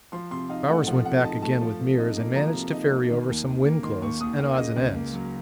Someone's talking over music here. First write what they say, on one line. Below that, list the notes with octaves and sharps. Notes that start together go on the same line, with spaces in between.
Bowers went back again with Meares and managed to ferry over some wind clothes and odds and ends.
F3 C6
C3 C6
D#4 F5
A3 F#5
F3 F#5
C3 F#5
D#4 A5
A3 A5
F3
C3
D#4
A#3
F3 A#5
C3
D#4
A#3
D#3
D#2
D#2
A#3
D#3 C6
D#2 C#6
D#2 D#6
A#3 F5
C#3 D#5
C#2
A#3
F#3